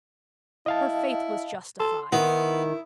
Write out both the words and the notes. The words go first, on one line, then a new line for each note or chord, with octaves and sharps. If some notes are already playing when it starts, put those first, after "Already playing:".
Her faith was justified.
E4 D#5 F5 A5
A4 C6
D#3 B3 E4